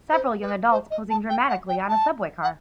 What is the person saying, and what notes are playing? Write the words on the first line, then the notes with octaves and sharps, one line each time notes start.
Several young adults posing dramatically on a subway car.
C5
B4
C5
D#5
A5
G5
F#5
G5
A5
F#5